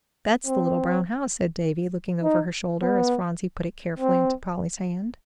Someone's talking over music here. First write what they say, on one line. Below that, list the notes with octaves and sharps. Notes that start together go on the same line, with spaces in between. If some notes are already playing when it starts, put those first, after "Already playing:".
"That's the little brown house," said Davie, looking over her shoulder as Phronsie put it carefully into Polly's hand.
C4
D#4
B3
C4